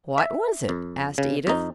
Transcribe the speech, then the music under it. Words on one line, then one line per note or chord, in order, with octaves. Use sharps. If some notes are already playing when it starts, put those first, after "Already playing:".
"What was it?" asked Edith.
E5
F2
C#3
F2 D#4